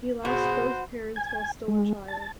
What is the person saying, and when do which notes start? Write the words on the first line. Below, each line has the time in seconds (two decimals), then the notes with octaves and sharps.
He lost both parents while still a child.
0.25 B2 F#4 G#4 C5
1.16 G#5
1.68 G#3
2.08 A5